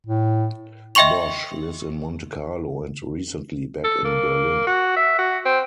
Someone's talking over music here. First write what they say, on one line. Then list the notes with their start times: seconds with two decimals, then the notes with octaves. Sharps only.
Bosch lives in Monte Carlo and recently back in Berlin.
0.07 A2
0.95 D#5 E5 G5 C6 C#6 F7
3.84 A4
4.05 A#3
4.67 F#4
4.97 E5
5.18 F#4
5.46 C4